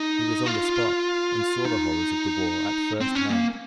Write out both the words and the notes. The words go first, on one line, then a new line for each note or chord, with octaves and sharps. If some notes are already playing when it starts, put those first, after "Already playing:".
He was on the spot, and saw the horrors of the war at first-hand.
Already playing: D#4
F4
D#4
C4
C#4
A#3